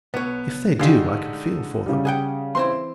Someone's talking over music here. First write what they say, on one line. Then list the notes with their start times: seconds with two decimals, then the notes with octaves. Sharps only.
If they do, I can feel for them.
0.14 B1 B3 C#5
0.79 D3 G#3 D#4 F#4 G4 F5
1.86 C#3 G3
2.05 G#4 F#5 G5
2.55 E3 C4 E4 C6